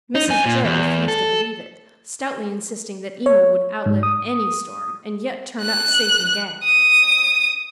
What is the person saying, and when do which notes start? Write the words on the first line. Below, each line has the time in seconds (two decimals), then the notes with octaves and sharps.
Mrs Jo refused to believe it, stoutly insisting that Emil would outlive any storm and yet turn up safe and gay.
0.15 D#4
0.28 F2 G#5
0.46 A#2
0.64 E2
1.08 A4
3.26 C#5
3.86 G#2
4.03 D#6
5.62 F#6
6.65 D#6